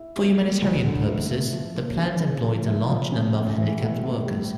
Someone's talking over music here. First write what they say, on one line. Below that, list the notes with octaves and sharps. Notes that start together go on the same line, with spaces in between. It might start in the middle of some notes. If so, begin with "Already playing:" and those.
For humanitarian purposes, the plant employed a large number of handicapped workers.
Already playing: E4
G3
A#3
D2
D3
A3
E4
F3
A#3
C#4
C#3
F3
E4
F3
C#4
A2
E3
A3
A2
G3